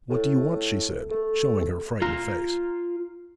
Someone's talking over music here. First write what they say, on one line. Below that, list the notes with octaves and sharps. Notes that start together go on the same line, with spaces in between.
'What do you want?' she said, showing her frightened face.
A2
A3
F4 A#5